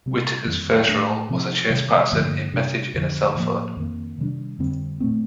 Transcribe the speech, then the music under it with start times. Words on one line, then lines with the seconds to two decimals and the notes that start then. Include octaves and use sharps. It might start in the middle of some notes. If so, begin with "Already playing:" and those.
Whitaker's first role was a Chase Patterson in "Message in a Cell Phone".
0.06 C3 G3 C4
0.46 F2 D#3 G3
0.88 A2 A3 D4
1.29 C3 F3 C4
1.70 C3 D#3 G3
2.11 G2 D3 F3 A#3
2.53 C3 G3 D4
2.94 F2 D3 F3
3.35 A2 F3 A#3
3.77 F2 D#3 A#3
4.19 C3 D#3 G3 D4
4.59 F2 D3 G3 C4
5.00 A#2 A3 C4